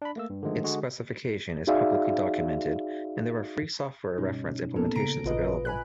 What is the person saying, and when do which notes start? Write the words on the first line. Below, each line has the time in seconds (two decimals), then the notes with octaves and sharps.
Its specification is publicly documented and there are free software reference implementations available.
0.02 D4 B5
0.16 A3 A#3 E6
0.30 G2
0.43 D3 D#3 F3 G#3 A3
0.64 D3 G#3 F#4 G#4
1.67 D#4 F#4 G#4 D5 E5 F5
4.18 G2 B2 G3 C#4 D#4
4.76 A#2 A#3 B3 C#4 A4 A#4
4.95 C#3 A#5 D7
5.24 A1 A#2 F4 B4 D#5
5.65 G#5 B5 F#6